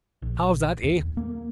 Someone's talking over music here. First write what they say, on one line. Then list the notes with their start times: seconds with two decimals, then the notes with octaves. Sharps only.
How's that, eh?
0.22 A#1
0.83 D#2
1.17 A#3